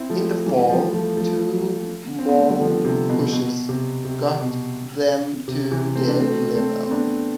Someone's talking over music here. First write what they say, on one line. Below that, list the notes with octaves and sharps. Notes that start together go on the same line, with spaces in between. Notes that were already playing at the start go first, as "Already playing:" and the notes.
In the Fall, two more pushes got them to the level.
Already playing: C4 E4
F3 A3
E3 G3
F3 A3
F3 A3
F3 A3
C4
B3
A3
G3
D3 F3
C3
B2
B2
C3
C3
B2
C3
C3 E3
A3 C4
D4
A3 C4
A3 C4
C4
B3 D4